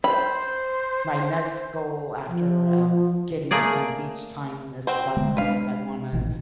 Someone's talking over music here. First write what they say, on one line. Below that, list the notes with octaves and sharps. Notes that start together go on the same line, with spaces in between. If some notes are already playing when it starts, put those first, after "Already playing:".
my next goal after, uh, getting some beach time this summer is I wanna
C5 B5
F3
A3 A#3 G#4 D5
C4 F#4 C5
D3 G#3 B3
G#3 A#3 D4 B4 F5
A1 A#2 D#3